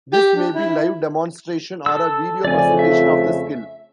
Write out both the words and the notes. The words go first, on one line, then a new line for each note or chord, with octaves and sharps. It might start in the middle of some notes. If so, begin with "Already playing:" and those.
This may be live demonstration, or a video presentation of the skill.
G4
D4
E4
A4 E6
F2 C#3 A3 D5 G#5
E5